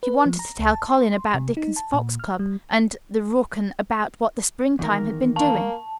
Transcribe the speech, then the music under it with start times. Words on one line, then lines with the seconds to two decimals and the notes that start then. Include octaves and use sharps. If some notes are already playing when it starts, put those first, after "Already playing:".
She wanted to tell Colin about Dickon's fox cub and the rook and about what the springtime had been doing.
0.03 B4
0.26 F3
0.39 A#5
0.60 C#2
0.72 A5
0.89 C6
1.34 C3
1.57 D#4
1.76 A5
1.94 A#2
2.19 F6
2.39 G3
4.79 E2 D#3 A#4
5.36 A#3 A5